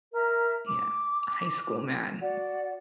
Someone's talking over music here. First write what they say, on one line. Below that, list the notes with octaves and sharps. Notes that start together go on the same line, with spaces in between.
Yeah, high school, man,
A#4 E5 A#5 F6
D6
F#4 D5 F#5